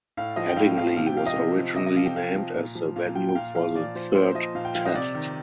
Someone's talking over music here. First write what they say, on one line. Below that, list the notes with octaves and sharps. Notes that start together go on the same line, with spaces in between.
Headingley was originally named as the venue for the third Test.
A2 F5
F3 D#5
G5
A2 F5
F3 F5
C3 F5
G5
F3 F5
D#5
C3
F3
C3 D#5
D#5
F3 F5
G5
C3 F5
F3
A#2
F3
A#2 F5
F3 G5
G5
A#2 F5
F3 F5
A#2 D5
F3 C5
A#2 C5
F3 D#5
A#2 F5
G5
F3 F5
D#5
C3 D5
D#3